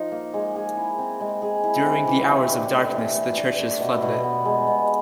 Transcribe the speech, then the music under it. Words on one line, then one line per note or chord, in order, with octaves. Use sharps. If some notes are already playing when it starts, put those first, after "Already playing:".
During the hours of darkness the church is floodlit.
Already playing: F3 D#4
A#3
G#3
G#4
E4
C4
G#3
G#4
E4
C4
E3
G4
D4
A3
E3
G4
D4
A3
B2
B2
B3
G#3
B2